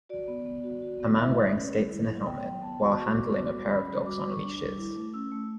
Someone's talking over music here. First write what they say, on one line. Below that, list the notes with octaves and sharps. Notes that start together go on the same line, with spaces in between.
A man wearing skates and a helmet, while handling a pair of dogs on leashes.
F#4 D5
B3
B3
F#4
F#4
B3
E4 E5
G3
C#4
G3
E4
F#3
B3 G5
F#3
B3 A5
G5
F#4
A5
F#4 C#6
D6
B3
C#6
F#4 D6
D6
G3
C#4 B5
G3
F#4 D6
D6
G3
C#6
D4 D6
G3
E4
A3
C#4 E6
A3